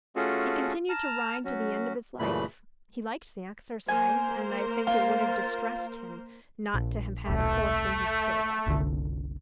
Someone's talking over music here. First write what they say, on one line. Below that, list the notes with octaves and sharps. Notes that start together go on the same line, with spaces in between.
He continued to ride to the end of his life: he liked the exercise, and I think it would have distressed him not to have had a horse in his stable.
A3 C#4 F4 F#4 G#4 A4
A5 A#5 F6
F#3 C#4 F#4
F#2 A#2 C#3 E3 A3 B5
A#3 A#4 C5 G#5
F4
A#1
D#1 B1 A3
F#1 C2 D3